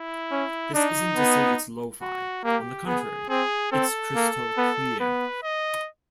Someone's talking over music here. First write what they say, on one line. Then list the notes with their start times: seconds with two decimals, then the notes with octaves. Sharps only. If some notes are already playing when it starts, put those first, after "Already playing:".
This isn't to say it's lo-fi; on the contrary, it's crystal clear.
Already playing: E4
0.31 C#4
0.74 D4 D#4
1.16 B3
2.02 F#4
2.44 A#3 G4
2.87 B3 G#4
3.29 C4 G#4
3.72 C4 A4
4.16 A#3
4.57 B3
5.00 B3 B4
5.43 D#5